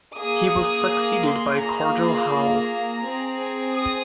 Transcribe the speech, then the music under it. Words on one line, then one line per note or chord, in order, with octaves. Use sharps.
He was succeeded by Cordell Hull.
A#3 G#4 D#6
C6
A#3 F4 G#4 A#5
A#5
C4 G#4
D#6